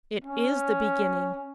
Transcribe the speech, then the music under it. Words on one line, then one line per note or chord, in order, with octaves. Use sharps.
It is the beginning!
C#4